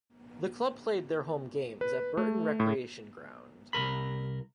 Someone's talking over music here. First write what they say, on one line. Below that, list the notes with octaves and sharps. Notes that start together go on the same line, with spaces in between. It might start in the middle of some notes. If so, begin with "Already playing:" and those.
The club played their home games at Burton recreation ground.
B4
A3
A2
C2 F2 A#4 B5